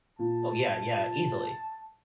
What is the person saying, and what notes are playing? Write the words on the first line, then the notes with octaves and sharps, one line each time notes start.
Oh yeah, yeah, easily.
A#2 A5